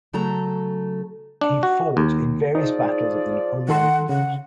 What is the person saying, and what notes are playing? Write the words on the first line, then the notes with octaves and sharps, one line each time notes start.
He fought in various battles of the Napoleonic wars.
C#3 F#3 A3 A4 A#5
D4
F#4
D#2
F3 D#4 G#4 D5
D#3 A4 F#5 C6
C#3 F#5